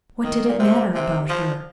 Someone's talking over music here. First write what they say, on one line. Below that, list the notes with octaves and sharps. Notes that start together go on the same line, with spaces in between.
What did it matter about her?
D#3
A#2
C3
C3
F3